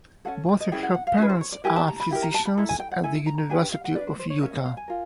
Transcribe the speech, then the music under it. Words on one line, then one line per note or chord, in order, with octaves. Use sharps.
Both of her parents are physicians at the University of Utah.
C#4 F4 A4 F#5
D5
D#5
C#4 E4 G#4 G5
F#5
F#5
F5
C#4 E4 G#4 B4 C#5
C5
C#5
D5
E4 G4 A#4 G#5
A5
A#5
B5
E4 G4 A#4
A#5
A5
B5
E4 A4 A#5
G#5
G5
F#5
E4 A4 G#5
A#5
A#5
D4 G4 B4 G#5
G5
F5
F#5
G4 B4 D5
D4
C5
C5
C#5
C#4 F4 A#4 E5
D#5
F5
G#5
F4 A#4